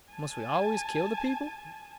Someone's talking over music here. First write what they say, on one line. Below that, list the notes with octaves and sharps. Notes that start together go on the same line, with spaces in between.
"Must we always kill the people?"
G#5 A5